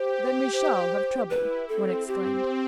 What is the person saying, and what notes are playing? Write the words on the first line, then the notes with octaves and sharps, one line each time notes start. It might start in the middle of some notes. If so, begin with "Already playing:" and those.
"Then we shall have trouble," one exclaimed.
Already playing: G4 C5
C5
E4 B4
C4 A4
C4 G4